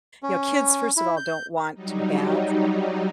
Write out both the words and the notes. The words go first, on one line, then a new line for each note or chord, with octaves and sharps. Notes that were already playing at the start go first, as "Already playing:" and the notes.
You know, kids, first of all, don't want to have
C#4
E4
G6
F#3 G3 D#4